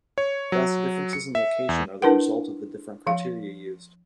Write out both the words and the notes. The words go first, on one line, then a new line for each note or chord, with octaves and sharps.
Thus, differences in location are the result of the different criteria used.
C#5
F#3
C#7
E5
E2
D4 E4 A#4 B4 F#5
F3 F5